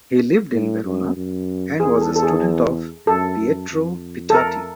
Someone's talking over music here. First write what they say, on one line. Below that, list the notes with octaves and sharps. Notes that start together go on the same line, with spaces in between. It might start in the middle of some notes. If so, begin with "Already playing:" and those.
He lived in Verona and was a student of Pietro Pitati.
A2
F#2
F#2
E2 G#4
A4
A4
G#4
F#2 A4
F#2
F2
A4
A#4